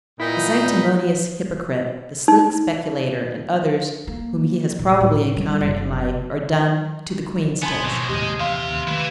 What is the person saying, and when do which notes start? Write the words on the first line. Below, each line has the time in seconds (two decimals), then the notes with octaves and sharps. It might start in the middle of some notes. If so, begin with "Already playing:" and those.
The sanctimonious hypocrite, the sleek speculator, and others whom he has probably encountered in life are done "to the queen's taste."
0.20 A#2 D#4 E4 B4 G5 B5
2.28 D#4
4.07 A#3
4.79 A#2
5.01 A2
5.36 G3
5.61 F#1
7.62 B3 G#5 A5 C6
7.84 G#1 B2 F3 F#3
8.09 D#2 A2 C3 G4 G#4 D#5
8.40 E2 E5 F5 C6
8.69 D#2
8.87 D#3 A3 E4 B4